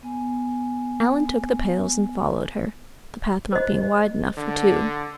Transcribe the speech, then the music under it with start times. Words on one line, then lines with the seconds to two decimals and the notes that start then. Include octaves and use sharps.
Alan took the pails and followed her, the path not being wide enough for two.
0.03 B3 G#5
3.53 C5 D#5
4.37 D3